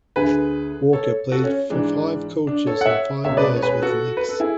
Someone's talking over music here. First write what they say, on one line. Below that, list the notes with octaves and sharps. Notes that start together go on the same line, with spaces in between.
Walker played for five coaches in five years with the Knicks.
D2 D3 G#4 B4
A4 C#5
F#4 A4
C#4
G#2 E3 D4
D4
A4 C#5
F#5
C#5 E5
C#2 B2 C#5 E5
B4 D5
C#5
G#4 B4
F#4 A4
B4
A4
E4 G#4